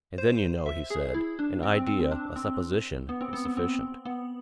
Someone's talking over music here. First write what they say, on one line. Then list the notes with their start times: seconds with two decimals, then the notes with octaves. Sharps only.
"And then, you know," he said, "an idea, a supposition, is sufficient."
0.18 C5
0.66 E5
0.90 G#4
1.14 E4
1.39 D4
1.63 C4
1.75 C4
1.87 C4
2.00 C4
2.12 D4
2.36 C4
3.09 B3
3.21 C4
3.33 B3
3.45 B3
3.57 C4
4.05 B3